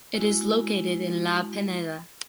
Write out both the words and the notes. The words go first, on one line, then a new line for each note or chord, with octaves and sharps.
It is located in La Pineda.
G#3 E4 F#4